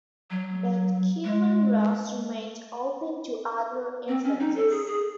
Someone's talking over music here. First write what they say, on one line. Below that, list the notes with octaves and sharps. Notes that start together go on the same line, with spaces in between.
But Kyivan Rus remained open to other influences.
F#3
G#3
C4
C#4
D#4
A4
G#4
G#4